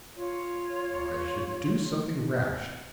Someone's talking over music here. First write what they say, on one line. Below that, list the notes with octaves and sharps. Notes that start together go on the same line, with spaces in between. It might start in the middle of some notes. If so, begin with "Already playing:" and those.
"I should do something rash."
F4 C#5